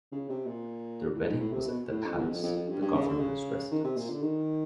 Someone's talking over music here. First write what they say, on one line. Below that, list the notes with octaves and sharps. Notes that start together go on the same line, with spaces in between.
Their wedding was at the Palace, the governor's residence.
C#3
C3
A#2
A2
G#2
A2
C3
B2
A2
F2
E2
F2
F2
F2
G2
G2
C#3
D3
C#3
D#3
C3
A#2
D3
D#3